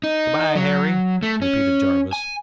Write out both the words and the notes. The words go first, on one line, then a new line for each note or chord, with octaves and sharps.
"Good-bye, Harry," repeated Jarvis.
D#4
F#3
A3
C#4
G#5